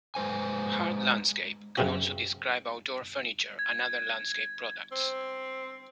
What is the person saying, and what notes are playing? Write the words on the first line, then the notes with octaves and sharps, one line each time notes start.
'Hard landscape' can also describe outdoor furniture and other landscape products.
G#3 B4 C5 G#5
F#2 C#3 C4 F#4
G#6
C4